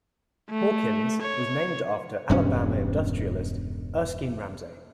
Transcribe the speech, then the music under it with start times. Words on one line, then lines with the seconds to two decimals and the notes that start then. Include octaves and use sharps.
Hawkins was named after Alabama industrialist Erskine Ramsay.
0.50 A3
1.22 C#5
2.29 E1 G2 C#4